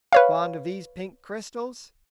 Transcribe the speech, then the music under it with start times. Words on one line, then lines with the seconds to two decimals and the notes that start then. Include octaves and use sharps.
"Fond of these pink crystals?"
0.13 B4 C#5 F5